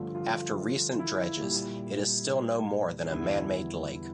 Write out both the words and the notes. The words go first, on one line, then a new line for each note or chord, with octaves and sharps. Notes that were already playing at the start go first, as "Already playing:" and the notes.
After recent dredges, it is still no more than a man-made lake.
Already playing: G2 D3 F3 A3 F4
F4
E4
A#2 G3
E2 D3 G3 E4
E4